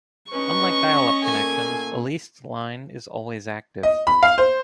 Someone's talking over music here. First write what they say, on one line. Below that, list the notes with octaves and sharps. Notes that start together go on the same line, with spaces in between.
Unlike dial-up connections, a leased line is always active.
G2 C#4 D#4 B4 D#5 C#6
A#2 A3 A#3 G#5
D#5
B5
F5
C5